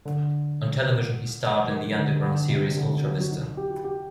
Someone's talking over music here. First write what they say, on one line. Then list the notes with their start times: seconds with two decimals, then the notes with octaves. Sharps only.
On television he starred in the underground series "Ultra Vista!".
0.05 D3
1.68 D#3
1.87 D#3
1.95 D3
2.22 D3
2.50 C3
2.77 D3
3.03 F#3
3.20 F#4
3.30 D#4
3.57 G4
3.70 F#4
3.84 G4